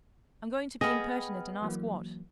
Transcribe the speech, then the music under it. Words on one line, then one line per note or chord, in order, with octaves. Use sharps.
I'm going to be impertinent and ask what.
B3 G#4 D#5 G5 D#6 F6
E3 F#3 A#3